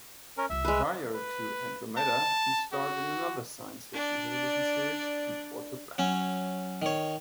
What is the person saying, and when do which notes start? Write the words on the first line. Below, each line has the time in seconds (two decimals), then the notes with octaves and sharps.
Prior to "Andromeda" he starred in another science fiction television series, "Deepwater Black".
0.38 C#4 A#4
0.50 C2 F4 E5
0.65 G#3 B4
1.14 B4
1.97 A5
2.73 F#4
3.93 D4 D5
5.98 F#3 C#4
6.82 D#3 C#5